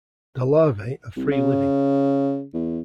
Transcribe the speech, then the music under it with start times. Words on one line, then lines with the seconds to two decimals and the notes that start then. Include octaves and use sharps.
The larvae are free living.
1.16 C2
1.31 C#3
2.54 E2